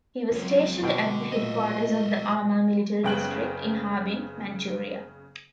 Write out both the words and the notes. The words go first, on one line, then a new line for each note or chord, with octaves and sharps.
He was stationed at the Headquarters of the Amur Military District in Harbin, Manchuria.
C#2 F3 F#3 C4 C#5
B2 D3 G5
A#2 G#3 A3 D#5 E5
F#1 C#3 B3 G5 F#6 F#7